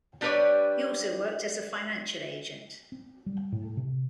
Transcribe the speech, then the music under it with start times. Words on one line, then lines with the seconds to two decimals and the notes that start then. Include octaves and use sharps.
He also worked as a financial agent.
0.21 G3 D4 G4 B4 C#5 D5
2.92 C4
3.26 G3
3.52 A2
3.77 C3